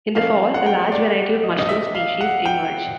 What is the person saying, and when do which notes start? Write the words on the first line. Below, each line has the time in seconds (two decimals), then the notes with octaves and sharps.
In the fall, a large variety of mushroom species emerge.
0.15 F3 A#3 C#4 F5
0.54 F#5
0.66 G5
0.92 D5
1.43 D#5
1.59 D#5
1.69 E5
1.95 F5
2.21 F#5
2.46 G5